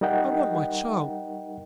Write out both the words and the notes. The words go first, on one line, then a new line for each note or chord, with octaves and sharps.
I want my child!
G3 D#4 A#4 D#5 F#5 G5